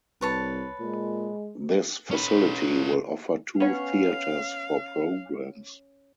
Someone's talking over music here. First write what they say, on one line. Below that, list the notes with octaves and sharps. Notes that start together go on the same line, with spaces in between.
This facility will offer two theaters for programs.
C2 B4 C#5 A5
A#2 G#3
C#4 B4
B3 C#4 C#5 F5